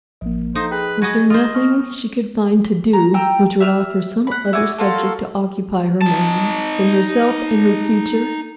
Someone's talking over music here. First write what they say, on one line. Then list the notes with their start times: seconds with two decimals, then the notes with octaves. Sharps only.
Was there nothing she could find to do which would offer some other subject to occupy her mind than herself and her future?
0.21 A1 F3 A#3
0.55 D#4 A4 C5 F5 A#5
0.71 G#4 B4 G5
1.02 F#4 B4 D#5 G#5
1.30 F4 C5 D#5
1.54 B3 C#6 F6
2.93 A#5
3.14 G5 A#5 E6
3.60 E5 F6
4.27 F#5 B5
4.53 E4 F#4 D5 G#5
4.78 A#3 F4 F#4 A4
6.01 D#4 A5